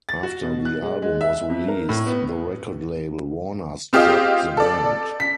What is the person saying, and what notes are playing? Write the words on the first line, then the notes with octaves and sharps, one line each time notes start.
After the album was released the record label, Warners, dropped the band.
A6
F#4
B2
F#6
G#3
G#3
E5
F2
A#4
A2
B3
C4 F4 G4 G#4 D#5 F5
A4 D5
B6